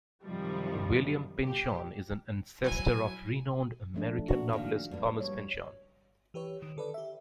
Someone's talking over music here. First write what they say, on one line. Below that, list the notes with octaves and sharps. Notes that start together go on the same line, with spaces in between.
William Pynchon is an ancestor of renowned American novelist Thomas Pynchon.
F#2 C3 D#3 F3 G3
A#2 G4
F#3 E4 G#5
F3 A3 D4
D4 F#4
A#2 D#3 F#4 F5
G2 A#3
G3 C#5
E3 G4 B4 C#5
D#3
D3 A4 B4 D5
G4 E5